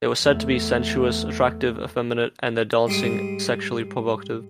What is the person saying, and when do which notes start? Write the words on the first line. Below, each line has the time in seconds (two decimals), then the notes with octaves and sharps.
They were said to be "sensuous, attractive, effeminate", and their dancing "sexually provocative".
0.22 E2 A3
2.87 G#2 G3 C6 D6 D#6